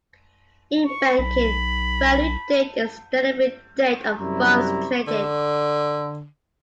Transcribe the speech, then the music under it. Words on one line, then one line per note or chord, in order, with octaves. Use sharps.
In banking, value date is the delivery date of funds traded.
C#6
B1 B5
F#2 C3 G3 E4 A#5
D3